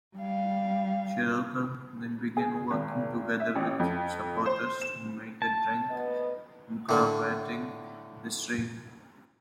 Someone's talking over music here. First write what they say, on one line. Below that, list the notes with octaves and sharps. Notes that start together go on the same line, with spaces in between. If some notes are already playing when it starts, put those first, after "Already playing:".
Shirota then began working together with supporters to make a drink incorporating the strain.
G3 F5
G#4
G#1
E5
A1
F2
C5
E7
A5
D2 B3 D#5
A2 D3